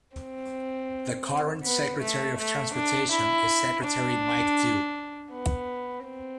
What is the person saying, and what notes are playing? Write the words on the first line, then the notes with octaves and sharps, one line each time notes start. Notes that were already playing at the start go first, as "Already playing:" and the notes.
The current Secretary of Transportation is Secretary Mike Dew.
C4
B3
A3
A3
D4
E4
D4
B3
C4